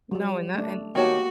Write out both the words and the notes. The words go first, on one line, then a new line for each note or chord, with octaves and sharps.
No, and that, and
F#3 G3
A3 D4
D#3 A#3 B3 F#4 G4 C#5 A5